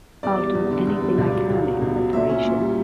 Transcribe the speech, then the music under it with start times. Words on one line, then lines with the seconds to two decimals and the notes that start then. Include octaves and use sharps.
I'll do anything I can in reparation.'
0.23 E2 D5
0.39 G3
0.55 E2
0.71 D3
0.87 E2
1.03 G3
1.18 C#2 D5
1.34 F#3
1.50 C#2
1.66 B2
1.82 C#2
1.98 F#3
2.13 A#2 E5
2.29 C#4
2.44 A#2
2.61 G3